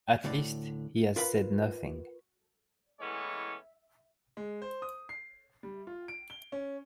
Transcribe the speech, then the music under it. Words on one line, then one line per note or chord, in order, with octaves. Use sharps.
At least, he has said nothing.
D2 A2 D3 D5
F4 A#4 B4 F5 G#5 B5
A2 E3 G#3 B3 C#4 C#5
G#3
C5
D#6
C7
G3
F4
D7
G7
C#4